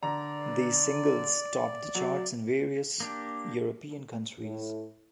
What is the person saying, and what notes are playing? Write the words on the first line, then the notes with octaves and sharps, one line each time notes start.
These singles topped the charts in various European countries.
D3 D5 A#5
F#3
A#3 D4 G4
A2